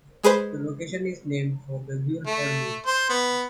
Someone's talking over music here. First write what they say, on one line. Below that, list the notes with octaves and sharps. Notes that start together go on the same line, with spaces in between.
The location is named for the Guilford Mill.
G#3 G#4 B4 C5
A3
C5
B3